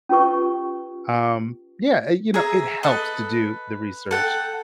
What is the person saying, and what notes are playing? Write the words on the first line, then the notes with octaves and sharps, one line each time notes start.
um, yeah, eh, you know, it helps to do the research.
C#4 F4 G4 B4 C#6
G#4 E5 A#5
A4 B4 D#5
A4 F#5 G5